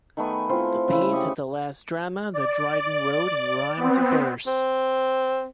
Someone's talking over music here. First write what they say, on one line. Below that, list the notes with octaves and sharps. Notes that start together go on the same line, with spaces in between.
The piece is the last drama that Dryden wrote in rhymed verse.
D#3 A3 B3 G#5
C4 E4 F4 C5
C#3 E4
G4 D#5 C#6
D5
B3 C4
C4